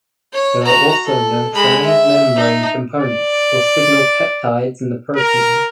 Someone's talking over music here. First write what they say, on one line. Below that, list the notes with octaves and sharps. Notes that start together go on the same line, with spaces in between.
There are also no transmembrane components or signal peptides in the protein.
C#5
F#4 A#5
A4
G#3 B5
E5
D#4
D5
A#4